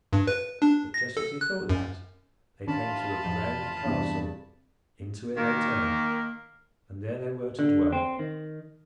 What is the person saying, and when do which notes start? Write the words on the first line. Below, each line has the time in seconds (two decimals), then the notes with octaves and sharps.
But just as he thought that, they came to a grand castle; into it they turned, and there they were to dwell.
0.13 G2
0.27 B4
0.62 D4
0.94 A#6
1.17 A4
1.41 F#6
1.69 F#2
2.68 A1 D#3 C#4 D4 F4 A5 B5
3.25 F2 G#2 F3
3.85 E2 G2 C3
5.37 D#3 A#3
7.59 D3
7.92 C4
8.19 D#3